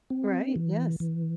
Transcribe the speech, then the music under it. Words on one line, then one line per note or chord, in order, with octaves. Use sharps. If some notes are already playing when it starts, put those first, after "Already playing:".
Right, yes.
C4
E3
E3